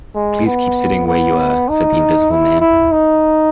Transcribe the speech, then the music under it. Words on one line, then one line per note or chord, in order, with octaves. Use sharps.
"Please keep sitting where you are," said the Invisible Man.
G#3
B3
B3
D#4
E4
E4
D#4